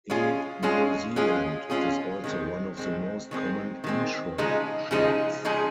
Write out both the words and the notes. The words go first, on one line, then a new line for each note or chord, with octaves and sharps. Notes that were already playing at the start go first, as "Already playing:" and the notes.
In New Zealand, it is also one of the most common inshore sharks.
G#3 C#4 F4 G#4
G#3 C#4 F4 G#4
G#3 C#4 F4 G#4
G#3 C#4 F4 G#4
D#3 G#3 C4
D#3 G#3 C4
D#3 G#3 C4
D#3 G#3 C4
C#3 F3 G#3 D#4 G#4
C#3 F3 G#3 D#4 G#4
C#3 F3 G#3 D#4 G#4